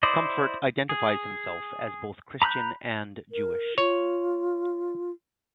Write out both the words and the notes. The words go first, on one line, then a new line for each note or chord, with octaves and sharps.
Comfort identifies himself as both Christian and Jewish.
E4 C5 D5 D#5
G#4
A#5 B5 E6 F#6 G6
A#4
F4 C#5